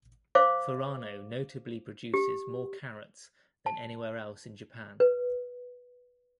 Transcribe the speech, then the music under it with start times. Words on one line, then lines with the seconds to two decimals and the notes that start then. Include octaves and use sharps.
Furano notably produces more carrots than anywhere else in Japan.
0.35 C5 F5 D6
2.14 G4
3.66 A5
5.00 B4